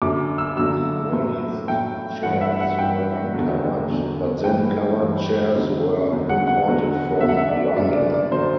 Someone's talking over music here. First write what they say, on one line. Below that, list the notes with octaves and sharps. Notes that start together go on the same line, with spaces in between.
The earliest chairs were uncovered, but then covered chairs were imported from London.
F#2 D3 F#3 D6
E6
F#2 D3 F#3 E6
A2 F#3
A2 F#3 G5
G2 E3 F#5
E5
F#5
G2 E3 G5
E2 D3 F#3
E2 D3 F#3
G2 E3 G5
G2 E3
E2 D3 F#3
E2 D3 F#3
F#5
F#5
E2 D3 F#3
E2 D3 F#3 E5
F#5
E5
D5
F#2 D3 F#3 D5
D5
D5
D3 F#3 C5